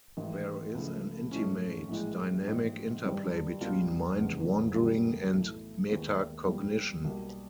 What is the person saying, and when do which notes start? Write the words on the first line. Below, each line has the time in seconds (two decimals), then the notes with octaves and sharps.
There is an intimate, dynamic interplay between mind wandering and metacognition.
0.17 A1 G#2 D#3
0.75 C#2 C#3 F3 A3
1.31 G#2 F3 A3 C#4
1.89 A#1 A2 E3 G#3
2.46 A#1 G#2 E3
3.04 G2 D#3 G3 C4
3.61 B1 A#2 G3 C4 F4
4.18 F1 E2 C#3 E3 G#3
4.75 F#2 D3 G3 A#3
5.32 B1 A2 E3 A3
5.89 D#2 D#3 G#3 B3
6.46 A#1 A#2 G3 B3
7.04 B1 B2 G3 A#3